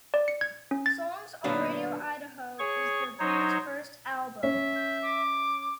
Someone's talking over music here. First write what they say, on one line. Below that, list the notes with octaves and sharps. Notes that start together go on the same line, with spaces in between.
"Songs on Radio Idaho" is the band's first album.
D5
C#7
G#6
C#4
A6
A#2 D3 F#3 B3 D4 B4
G#4 C#5 C#6
F#3 D#4 C5 C#5
C#4 E5
G6
D6